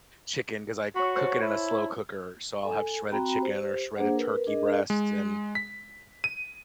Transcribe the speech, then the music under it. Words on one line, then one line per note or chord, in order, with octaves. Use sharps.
chicken 'cause I cook it in a slow cooker, so I'll have shredded chicken or shredded turkey breasts and
F#4 C#5 B5
C5 C#5 A5
E4
A4 G#5
C4 F#4 G5 A#5 B5
G4 C5
A#3 D4 G#4 C5 F#5
A#4 B4
D4 G#4 A#4 D#5
G#3
B6
D#7